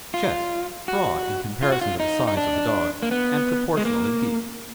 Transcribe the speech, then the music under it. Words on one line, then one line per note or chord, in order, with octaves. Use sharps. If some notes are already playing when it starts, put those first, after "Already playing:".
CHEST--Broad in comparison to the size of the dog, and proportionately deep.
F4
F#4
F4
F#4
F4
D#4
D#4
D4
A#3
B3
G#3
A#3